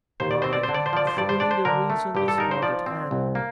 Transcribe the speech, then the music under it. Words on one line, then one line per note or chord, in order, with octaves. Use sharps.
'Why, truly the reason is hard at hand.
D#2 C5
D5
C4 C5
D5
C5
D3
D5
C5
F3 D5
C5
G2 D5
C5
D4 D5
C5
D3 A#4
A3
G2 G4
A4
D#4 A#4
C5
F3 D5
C4
C2
A#3